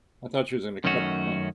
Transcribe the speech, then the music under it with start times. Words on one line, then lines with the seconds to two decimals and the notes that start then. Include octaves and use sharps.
I thought she was gonna cut her palm.
0.84 F#2 D#3 A3 C#4 F#4